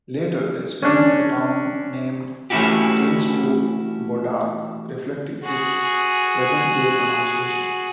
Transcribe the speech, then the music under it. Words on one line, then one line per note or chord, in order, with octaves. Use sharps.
Later, the spelling of the town name changed to "Bodarc" reflecting its present-day pronunciation.
C#4 D4
E3 A3 C#4 E4 F#4 G4
F#4 G#4